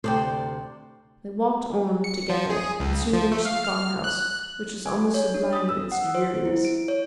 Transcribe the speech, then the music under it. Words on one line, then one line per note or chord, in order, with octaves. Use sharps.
They walked on together and soon reached the farmhouse, which was almost sublime in its dreariness.
D2 C3 A4 C5 D5 G5
C#7
F3
G#4
C#2
F3
A3
F5
F6
F#6
G#5
C#5
D4
D#6
E6
F#5
C5
E4
D7
C#5